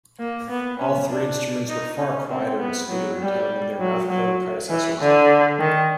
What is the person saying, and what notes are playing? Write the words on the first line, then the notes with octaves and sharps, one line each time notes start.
All three instruments were far quieter and sweeter in tone than their mouth-blown predecessors.
A#3
B3
C#4
D4
D#4
C#4
C4
B3
F#3
G3
F#3
F#3
E3
D3
D#3